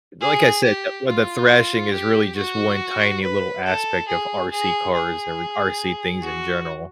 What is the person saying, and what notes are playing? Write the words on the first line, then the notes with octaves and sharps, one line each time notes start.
like I said, the with the thrashing is really just one tiny little aspect of RC cars or RC things in general.
G#4
G4
F4
G4
F#4
B4
A4
G#4
G#4
G#4
F#4